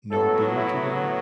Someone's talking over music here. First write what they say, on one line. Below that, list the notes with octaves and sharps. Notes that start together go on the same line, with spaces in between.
No beer today?
A2 F#3 B3 A4
E4